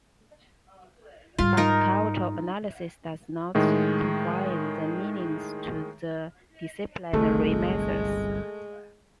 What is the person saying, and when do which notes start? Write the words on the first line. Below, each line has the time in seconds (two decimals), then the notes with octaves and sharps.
But cultural analysis does not confine the meanings to the disciplinary methods.
1.38 G#2 G3 F4
1.57 D#4 A#4
3.55 A2 D#3 G#3
7.13 G1 C2 G2 G#3 A3